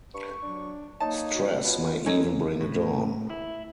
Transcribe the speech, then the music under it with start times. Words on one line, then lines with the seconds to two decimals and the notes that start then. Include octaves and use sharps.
Stress may even bring it on.
0.14 G2 C#6
0.42 F#3 D4
1.00 A#3 D#4 C#5 A5
1.34 F#4
1.63 B2 F4
2.06 F#2 C#4 D#4 A4
2.61 A2
3.30 E4